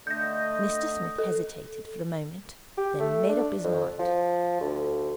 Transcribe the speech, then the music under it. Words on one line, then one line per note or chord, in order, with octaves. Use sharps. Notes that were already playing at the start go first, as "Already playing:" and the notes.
Mr Smith hesitated for a moment, then made up his mind.
D3 A3 D#5 G6 A#6
A4
G4
A3
D4
F2
F3
D2